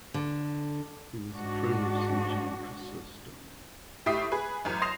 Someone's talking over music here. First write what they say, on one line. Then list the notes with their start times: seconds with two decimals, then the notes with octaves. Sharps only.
He was a friend of Saint John Chrysostom.
0.14 D3
1.30 G#2 D4 F#4
4.06 A2 G4 E5 D#6 C7
4.32 G#4 B4
4.65 A1 F#2
4.82 C6 D#6 A#6 C7 E7 F7